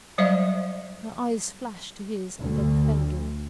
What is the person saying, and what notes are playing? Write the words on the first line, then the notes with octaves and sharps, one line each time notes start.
Her eyes flashed to his and then fell again.
F#3 G3 C5 D5 E5 F5
D2